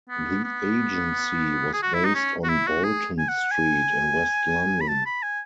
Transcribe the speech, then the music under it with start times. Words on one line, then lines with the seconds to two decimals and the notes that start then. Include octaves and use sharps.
The agency was based on "Bolton Street" in west London.
0.09 B3
0.44 B3
1.73 G#4
1.83 F#4
1.94 E4
2.05 D#4
2.15 C#4
2.44 F#4
2.48 E4
2.67 F#4
2.83 G#4
3.19 G#5
3.28 F#5
3.51 G#5
4.81 B5
4.88 A5
5.06 B5
5.23 G#5